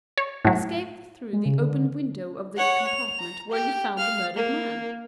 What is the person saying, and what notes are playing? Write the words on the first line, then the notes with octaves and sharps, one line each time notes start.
"Escaped through the open window of the compartment where you found the murdered man."
C#5
A2 F#3
G#3
C#3
D3
C#5 F#5
F7
A#5
G4
F5 F6
A#3